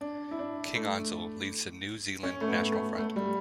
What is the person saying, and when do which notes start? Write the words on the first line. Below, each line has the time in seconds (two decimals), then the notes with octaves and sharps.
King-Ansell leads the New Zealand National Front.
0.01 D4
0.31 E4
0.39 D4
0.76 A3
2.23 C#4
2.41 A3
2.48 B3
2.73 A3
2.97 A3
3.16 G3